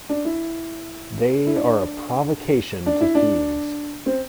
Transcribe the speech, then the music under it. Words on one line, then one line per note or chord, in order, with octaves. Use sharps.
They are a provocation to thieves.
D4
E4
E4
D4
D4
E4
D4
C4